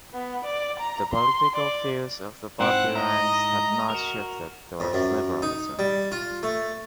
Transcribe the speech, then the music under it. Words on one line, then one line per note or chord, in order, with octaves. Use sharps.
The political views of the party ranks had not shifted towards liberalism.
B3
D5
A#5
C6
D5
G#2 C4 E4 F#5
D#5 A#5
F#4 A#4
F2
F#2
D#4
G3
F4
A3